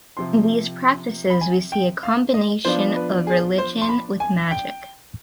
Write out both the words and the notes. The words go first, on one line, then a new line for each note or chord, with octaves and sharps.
In these practices we see a combination of religion with magic.
C3 F3 C4 C6
B5
G#5
G5
F5
D#5
F3 B3 D4 F4 C5
B4
G#4
C5
C6
B5
G#5
G5